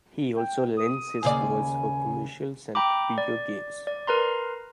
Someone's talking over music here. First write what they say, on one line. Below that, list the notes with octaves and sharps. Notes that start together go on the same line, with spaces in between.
He also lends his voice for commercials and video games.
G5
D#6
D#2 C#3 D5 G#5
G5 A#5 B5 D6
D5
D5
A#4 B4 A#5 C6